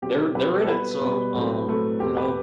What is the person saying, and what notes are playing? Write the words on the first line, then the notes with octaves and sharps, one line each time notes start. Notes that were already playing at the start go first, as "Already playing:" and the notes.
they're they're in it. So, um, you know?
B2 F#3 C4 G4
B2 F#3 C4 B4
A4
A4
B2 G3 B3 B4
B2 G3 B3
A2 F#3 A3 C4
A2 F#3 A3 C4
E2 B2 A3 C4 G4
B4